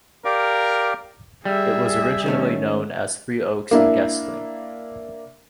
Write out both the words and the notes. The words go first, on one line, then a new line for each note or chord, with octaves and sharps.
It was originally known as Three Oaks and Guestling.
G4 A#4 D5 F5
G3 G#4 E5
D#3 A3 C#4
A#3 D4 E4